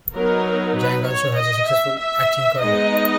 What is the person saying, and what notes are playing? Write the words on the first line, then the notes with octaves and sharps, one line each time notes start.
Jang also has a successful acting career.
F#3 B3 D#4 A#4
B4
C#5
D#5
E5
E5
G#3 B3 D#4 D#5